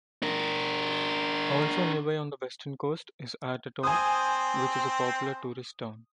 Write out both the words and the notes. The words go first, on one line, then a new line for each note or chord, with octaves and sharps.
Also nearby on the western coast is Artatore, which is a popular tourist town.
D4 A#4
C4 C5 G#5 D#6